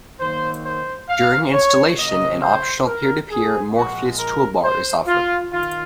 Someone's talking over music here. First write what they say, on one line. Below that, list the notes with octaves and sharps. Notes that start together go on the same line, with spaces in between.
During installation, an optional peer-to-peer Morpheus Toolbar is offered.
D#3 F#3 A#3 C5
C5
F5
C#5
C#3 F#3 A#3 D#5
C5
A#4
G#4
A#2 F3 G#3 F#4
A#4
C5
F4
D#3 F4